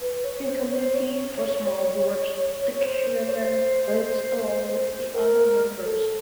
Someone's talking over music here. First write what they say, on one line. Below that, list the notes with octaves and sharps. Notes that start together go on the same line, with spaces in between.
In committees or small boards, the chairman votes along with the other members.
B4
C#5
C5
C#5
C5
C#5
C5
C#5
C5
C5
A#4
A4